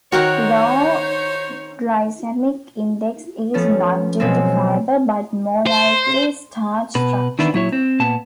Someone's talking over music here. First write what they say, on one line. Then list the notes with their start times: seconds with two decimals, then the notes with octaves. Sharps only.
Low glycemic index is not due to fiber but more likely starch structure.
0.12 D#3 D#4 F#4 A#4 C5 C#5 F#5 A#5
3.54 F3 A3 B3 C#4
4.20 B2 F#3 G#3 B3 C4
5.67 C5
6.95 B2 B4
7.39 D#3 E3 B3 D4 E4
7.53 A#2 F#3 E4 C#5
7.72 C4
8.00 A#2 B3 A5